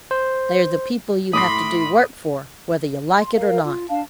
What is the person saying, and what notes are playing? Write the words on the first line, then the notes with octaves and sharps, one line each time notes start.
They are the people you have to do work for, whether you like it or not.
C5
A2 B5 C6 D6 D#6 A#6
C6
A#4 F5
F4
D4 F5 A5